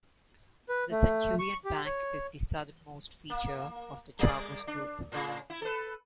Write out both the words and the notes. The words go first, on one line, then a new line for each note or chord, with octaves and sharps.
The Centurion Bank is the southernmost feature of the Chagos group.
B4
A3
C#6
G4
C#5
A#3
G3 A#3 D5
D4
A2 C#3
E4
A4 B4